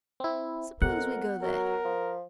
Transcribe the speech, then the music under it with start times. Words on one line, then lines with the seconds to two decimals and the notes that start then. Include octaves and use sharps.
Suppose we go there.
0.20 C4 E4
0.82 F2 B3 A#4 F#5
1.42 F#3 A#4
1.85 F3